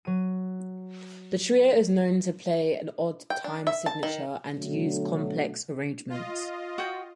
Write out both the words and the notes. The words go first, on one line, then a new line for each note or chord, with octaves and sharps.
The trio is known to play in odd time signatures and use complex arrangements.
F#3 D#7
G5
D4
E5
A5
D#3
B2 D3 F#3 A3 D4
F4 D#5
F#4 G5